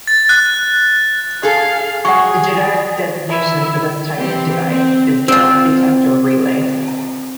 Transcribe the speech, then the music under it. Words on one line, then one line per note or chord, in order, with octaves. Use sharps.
A generic designation for this type of device is "gas detector relay".
A6
F#6
G#4 A4 F5
F#3 G#4 F#5 C#6
E4
E3 C4 G4
C4
C4 F4